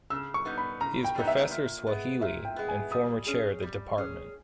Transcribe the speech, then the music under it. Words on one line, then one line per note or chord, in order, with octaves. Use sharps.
He is Professor of Swahili and former chair of the Dept.
C#3 E6
C#6
G3 B3 D#4
B5
C#3 A#5
G5
G3 B3 D#4
E5
A#2
G#3 B3
A#2 E5
G5
G#3 B3
G#5
G3 D#6
C#4 G#4
G3
C#4 G#4